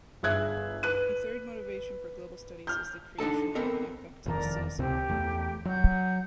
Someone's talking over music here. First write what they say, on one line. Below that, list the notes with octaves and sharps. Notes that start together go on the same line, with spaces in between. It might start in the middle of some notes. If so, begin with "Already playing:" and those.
A third motivation for global studies is the creation of an effective citizenry.
G1 G#4 E5 F#6 G#6
B4 F#6 D#7
F6 G6
D4 D#4 A4 A5
B3 C4 A4 A#4 D#5
E1 F2 D#3 A#4 D5 A#5
C#2 C3 C4 G4
E2 A3
F#3 F#5 G6